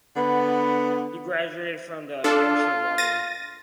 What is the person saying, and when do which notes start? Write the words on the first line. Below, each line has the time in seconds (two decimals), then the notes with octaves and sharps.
He graduated from the University of Waterloo.
0.16 D3 B3
2.24 D4 F4 A4
2.98 A6 A#6 D#7